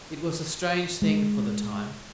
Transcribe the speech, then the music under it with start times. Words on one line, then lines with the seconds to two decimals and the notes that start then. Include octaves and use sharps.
It was a strange thing for the time.
1.02 G#3